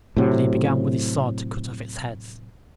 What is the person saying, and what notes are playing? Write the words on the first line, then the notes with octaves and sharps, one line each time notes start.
Then he began with his sword to cut off its heads.
A2 C3 F#3